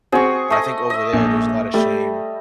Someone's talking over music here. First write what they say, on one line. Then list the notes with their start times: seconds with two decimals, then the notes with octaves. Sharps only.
but I think over there, there's a lotta shame
0.12 C4 F#4 G#4 C#6
0.50 A3 D#5
0.90 D#5 E5
1.13 A#1
1.74 G3 A3